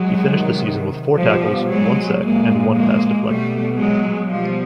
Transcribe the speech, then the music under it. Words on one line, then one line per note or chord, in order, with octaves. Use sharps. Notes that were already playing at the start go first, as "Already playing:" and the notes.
He finished the season with four tackles, one sack and one pass deflected.
Already playing: F#3 G#3
C3 D#3
B2 F3 G3
F#3 G#3
A#2 F3 G#3 A#3
G#3 A#3
B2 G3 A3
F#3 G#3
B2 F3 G3